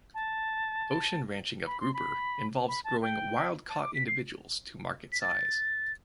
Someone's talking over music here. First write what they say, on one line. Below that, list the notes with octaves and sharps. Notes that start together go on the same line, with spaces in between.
Ocean ranching of grouper involves growing wild caught individuals to market size.
A5
B5
C6
B5
B5
A5
G5
A5
D6
B6
C7
B6
A6